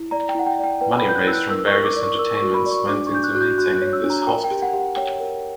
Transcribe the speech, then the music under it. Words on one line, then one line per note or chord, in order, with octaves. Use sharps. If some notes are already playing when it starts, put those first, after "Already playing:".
Money raised from various entertainments went into maintaining this hospital.
Already playing: E4
D5 A#5
G5
E4 F#5
G5
D5 G5
B4 G5
B5
B4 G6
F#6
E4 E6
F#6
A#4 E6
C#6
A#4
D6
D5
C#6
A#4 E6
C#6
F#4
B5
D5
C#6
D4 D6
C#6
D4 G6
F#6
F#4 F#6
G6
F#4 F#6
F#6
C#5
E6
D4
A#5
A#5
A#4 G5
G5
G4
F#5
G4
F#5
C#5 G5
A#4